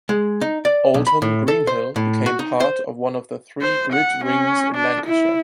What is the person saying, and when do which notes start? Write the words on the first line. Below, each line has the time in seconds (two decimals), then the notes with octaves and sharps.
Oldham Greenhill became part of one of the three grid rings in Lancashire.
0.09 G#3
0.41 D#4
0.65 D5
0.94 B1
1.07 B5
1.22 A2
1.48 A4
1.67 C5
1.96 A2
2.26 F#4
2.39 D#4
2.60 C5
3.61 C5
3.93 F#5
4.25 C#4
4.75 D4
5.06 E4